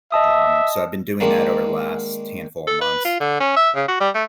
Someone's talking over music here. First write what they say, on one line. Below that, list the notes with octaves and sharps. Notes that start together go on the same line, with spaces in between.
um, so, I've been doing that over the last handful of months,
D#5 E5 A5 D#6
D#3 G#3 A#3 D4
A4
B4
F4
D3
C#4
E5
C#3
F#4
G3
A3